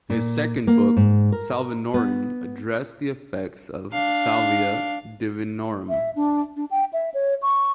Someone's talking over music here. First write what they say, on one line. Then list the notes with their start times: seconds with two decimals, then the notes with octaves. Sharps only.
His second book, "Salvinorin," addressed the effects of "Salvia divinorum".
0.10 A#2
0.67 A#3
0.97 G#2
1.32 A#4
1.94 B3
3.92 D4 F5
5.89 E5
6.16 D4
6.57 D4
6.71 G5
6.93 E5
7.14 C#5
7.42 C#6